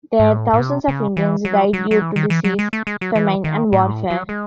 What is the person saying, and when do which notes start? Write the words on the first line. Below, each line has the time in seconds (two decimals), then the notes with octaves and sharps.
There, thousands of Indians died due to disease, famine and warfare.
0.19 G#2
0.31 A2
0.53 A2
0.60 C3
0.88 C#3
1.17 E3
1.45 F#3
1.73 F#3
1.91 F#3
2.02 E3
2.16 D#3
2.30 E3
2.44 F#3
2.59 G#3
2.73 A3
2.87 G#3
3.01 F#3
3.16 E3
3.44 D#3
3.72 A2
3.83 G#2
3.91 A2
4.10 F#3
4.29 G#3